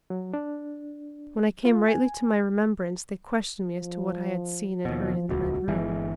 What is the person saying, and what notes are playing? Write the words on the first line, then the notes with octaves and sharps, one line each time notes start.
When I came rightly to my remembrance, they questioned me as to what I had seen and heard in the Red Room.
F#3
D4
F4
G#5
F3
D#2 B2 F3
D#1 C#2 F#4
G1 E3 G#3